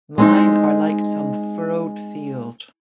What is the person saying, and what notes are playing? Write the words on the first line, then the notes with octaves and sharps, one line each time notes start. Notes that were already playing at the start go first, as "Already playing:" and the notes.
Mine are like some furrowed field.
G#3 C4 D#4